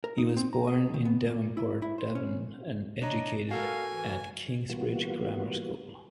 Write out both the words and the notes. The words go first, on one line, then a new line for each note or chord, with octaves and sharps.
He was born in Devonport, Devon and educated at Kingsbridge Grammar School.
A#4
D#4
C4
A#5
D#5
D#3
B3
A#2
E4
E4
C5
C#4
D4 C#5 D#5 A#5
F#4 A4 A#4 F5 G#5
E3
E3 G3 A#3 B3 F4 F#4